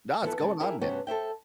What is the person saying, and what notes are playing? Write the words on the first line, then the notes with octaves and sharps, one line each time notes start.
No, it's going on, man.
E3 F3 B3 E4 A4
C#3 G#3 A5
E4 G4 G#4 A#4
G2 C3 B3 C#4 F#4 C5
A4 C5 E5 G5